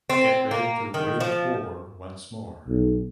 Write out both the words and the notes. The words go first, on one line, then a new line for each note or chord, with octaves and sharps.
Get ready to Wage War once more.
C4
A#3
D#3
F3
B1